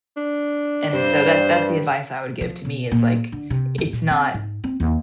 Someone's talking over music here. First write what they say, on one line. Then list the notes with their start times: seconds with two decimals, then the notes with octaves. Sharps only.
and so that that's the advice I would give to me is, like, "It's not"
0.17 D4
0.93 G2 C5
2.41 F3
2.65 B2
2.92 A#2
3.32 D3
3.50 C3
3.78 F#2
3.93 A#2
4.10 C4
4.34 G#2
4.64 C4
4.80 D#2